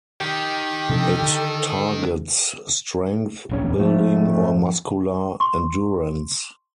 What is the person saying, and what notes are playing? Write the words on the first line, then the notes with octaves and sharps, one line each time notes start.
It targets strength building or muscular endurance.
D#3 G4
C3 F3 D4 A4
D3
D1 A#1 C#4
F2 G#2 F3 A3
C6 C#6